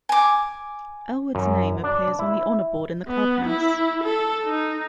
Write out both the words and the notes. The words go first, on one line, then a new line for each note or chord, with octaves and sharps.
Ellwood's name appears on the honour board in the clubhouse.
G#5 D6
F#2
D4
E4
B3
E4
A4
D#4